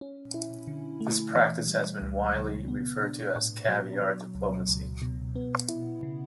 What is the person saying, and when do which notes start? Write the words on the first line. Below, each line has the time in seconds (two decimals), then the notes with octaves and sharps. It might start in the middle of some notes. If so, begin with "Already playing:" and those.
This practice has been widely referred to as "Caviar diplomacy".
0.01 C#4
0.34 E4
0.67 D3
1.00 A3
1.35 E3
1.67 G3
2.02 C#2
2.35 C#3
2.68 B3
3.02 D4
3.36 A2
3.68 F#3
4.01 F#3
4.35 C#2
4.69 C#2
5.02 B2
5.36 B3
5.69 E4
6.03 C#3